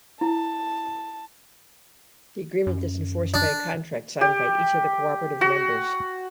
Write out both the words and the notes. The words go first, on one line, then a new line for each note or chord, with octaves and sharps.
The agreement is enforced by a contract signed by each of the cooperative members.
E4 A5
F#2
D4
G4
F#4